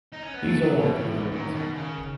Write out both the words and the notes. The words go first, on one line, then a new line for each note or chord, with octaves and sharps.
These are our heroines.
D#4
C#4
B3
E3 A3
F#3
B2
A2
G#2 D#3
F#2
B2
C#3